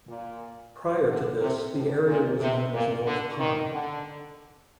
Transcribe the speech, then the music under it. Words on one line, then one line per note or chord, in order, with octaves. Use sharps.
Prior to this, the area was known as North Pine.
A#2
D3
C3
A2
A#2
C3
A#2
D3
D#3
D3